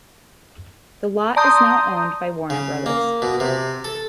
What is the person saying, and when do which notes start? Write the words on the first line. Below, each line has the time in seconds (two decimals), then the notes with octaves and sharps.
The lot is now owned by Warner Brothers.
1.36 D5 A5 A#5 C6 D#6 G6
2.50 C#3
2.86 A#3
3.22 B2
3.40 C3
3.84 A4